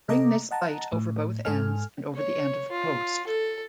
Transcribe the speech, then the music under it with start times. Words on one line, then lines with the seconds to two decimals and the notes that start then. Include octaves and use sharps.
Bring this bight over both ends and over the end of the post.
0.09 C3 A4 D#5 A#5 D6
0.51 D#5 F#5 A5 A#5
0.93 A2
1.45 G#2 A4 G#5 F6
2.16 C#5
2.71 F4
3.27 A4